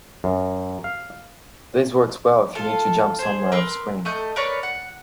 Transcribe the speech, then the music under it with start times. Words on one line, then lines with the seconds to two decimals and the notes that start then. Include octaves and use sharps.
This works well if you need to jump somewhere offscreen.
0.24 F#2
0.84 F5
2.55 F4 A4 F5
3.19 G#4 C5
3.52 A#4 B4 C6 E6
4.05 A3 D#5 G6
4.36 A#4 B4 C#5 D5
4.63 F#5